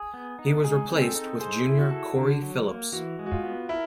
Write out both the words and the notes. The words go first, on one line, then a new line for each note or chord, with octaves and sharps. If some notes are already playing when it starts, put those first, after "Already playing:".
He was replaced with junior Cory Phillips.
Already playing: G#4
B3
D#4
G#3 G#4
C4
A4
D#4
G#4 C5
E4
F#4
A4
D3
F#3
A#3
E3 F#4
G#3
F#4
F4
B3
E4 A#4